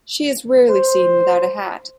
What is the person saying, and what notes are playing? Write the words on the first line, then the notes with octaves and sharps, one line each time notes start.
She is rarely seen without a hat.
C5